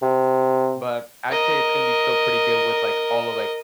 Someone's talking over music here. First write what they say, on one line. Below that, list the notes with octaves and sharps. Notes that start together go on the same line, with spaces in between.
but I'd say it's gonna be still pretty good with, like, all of, like,
C3
A#4 D#5